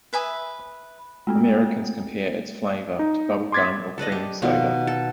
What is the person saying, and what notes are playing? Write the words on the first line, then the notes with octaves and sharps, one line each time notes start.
Americans compare its flavor to bubblegum or cream soda.
B4 E5 G#5 D#6
G#3 A3 C4
D#4
C6 D6 G#6 A6 B6
A4 B4 D5 D#5
G4
B2 D#3 F4 G4
A4